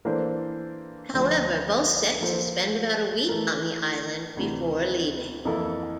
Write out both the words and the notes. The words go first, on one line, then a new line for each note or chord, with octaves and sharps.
However, both sexes spend about a week on the island before leaving.
E3 A#3 D4 A4 C5
D2 D3 F3
F3 A#3 F4 A4 C5
E3 A3 E4 A#4
D2 C3 E3
F2 E3 A#3 E4 A4